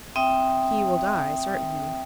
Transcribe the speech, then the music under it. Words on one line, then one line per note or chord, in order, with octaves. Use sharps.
"He will die, certainly."
C4 E5 G5 D#6